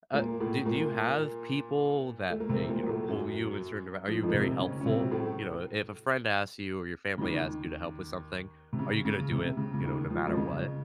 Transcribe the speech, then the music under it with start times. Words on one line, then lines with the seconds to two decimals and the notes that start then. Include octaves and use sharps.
Uh, do do you have people that, hey, you know, pull you in certain dire are you very helpful? You know, i if a friend asks you, or your family asks you to help with something, are you gonna do it, you know, no matter what?
0.14 A#2 A#3
0.41 A2 A3
0.66 A#2 A#3
2.30 A3
2.40 A#3
2.49 C3 C4
2.69 A#2 A#3
2.83 F#3
2.89 A2 A3
3.08 F#2 F#3
4.08 F3
4.15 D#3
4.22 F2 F3
4.29 A#3
4.33 C3 C4
4.59 C#3 C#4
4.81 C#4
4.86 C3 C4
5.01 F#3
5.12 A2 A3
7.18 C#3
7.22 D#2 D#3
8.73 C3
8.79 C#3
9.05 C#3
9.31 C3
9.57 C#3
9.74 C#3
9.83 D#2 D#3
10.10 F3
10.19 F#3
10.27 F2 F3
10.37 C#3